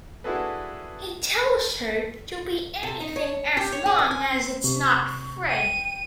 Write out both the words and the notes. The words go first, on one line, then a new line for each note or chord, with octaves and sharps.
He tells her to be anything as long as it's not Fred.
D4 E4 F#4 G#4 A4 B4
C3
D#4
C#5
G4
C#5
G#4
E3
G#5
C3 C#6
G5 D#7